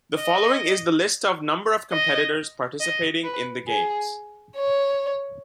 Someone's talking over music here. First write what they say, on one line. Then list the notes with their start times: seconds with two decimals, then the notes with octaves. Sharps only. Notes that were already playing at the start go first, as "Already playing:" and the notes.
The following is the list of number of competitors participating in the Games.
0.16 D#5
1.92 D#5
2.80 D#5
3.24 B4
3.68 G#4
4.56 C#5